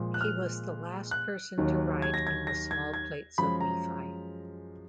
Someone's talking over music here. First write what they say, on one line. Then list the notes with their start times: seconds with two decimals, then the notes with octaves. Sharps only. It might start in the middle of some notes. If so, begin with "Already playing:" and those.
He was the last person to write in the small plates of Nephi.
Already playing: A#2 F3 G#3
0.14 F#6
0.21 F6
1.11 F#6
1.58 D#2 D#3 F#3
2.02 G#6
2.14 A#6
2.27 G#6
2.47 A#6
2.71 G#6
2.94 G#6
3.38 F#2 F3 G#3 B5
3.61 A#5